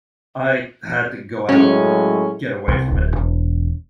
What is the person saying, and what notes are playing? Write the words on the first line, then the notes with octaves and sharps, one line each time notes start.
I had to go out and get away from it.
A2 F#3 G#3 C#4
C2
D1
E1